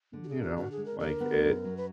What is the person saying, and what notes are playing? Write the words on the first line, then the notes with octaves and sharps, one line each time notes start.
you know, like, it, um,
D3
F#4
G#4
D3
F#4
D3 F#4
G#4
G#3
A#4
D3 A#4
B3
F#2
F#3
B4